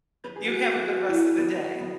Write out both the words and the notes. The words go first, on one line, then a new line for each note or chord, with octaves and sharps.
You have a good rest of the day.
B4
G#4
F#4
F#4
E4
B3
B3